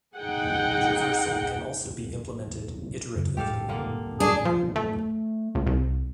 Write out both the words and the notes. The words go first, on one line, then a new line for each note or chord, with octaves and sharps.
Traversal can also be implemented iteratively.
D#4 G#4 F#5 G5
F#2 C#3
D1 G#3 G4 A4 F5
D3 A#3
G2 D4 G#4
F3
A3
C#2
C2